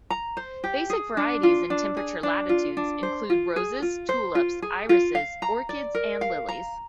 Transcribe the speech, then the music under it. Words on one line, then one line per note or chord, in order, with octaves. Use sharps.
Basic varieties in temperate latitudes include roses, tulips, irises, orchids and lilies.
A#5
C5
G4
G#4
D4
F4
D4
G#4
D4
F4
D4
C5
F4
G#4
F4
C5
F4
G#4
F4
F5
A#5
D5
A#4
F5
A#5